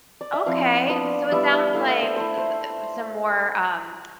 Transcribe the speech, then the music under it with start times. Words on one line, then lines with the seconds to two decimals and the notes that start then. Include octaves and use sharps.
Okay, so it sounds like the, uh that was some more, um
0.21 D5
0.33 E5
0.46 F3 C4 E4 F5
0.89 F3 B3 D4
1.32 G3 B3 E4 E5
1.52 E5
1.74 A3 E4 F5
1.88 E5
2.03 C5
2.16 A3 E4 C5
2.37 C5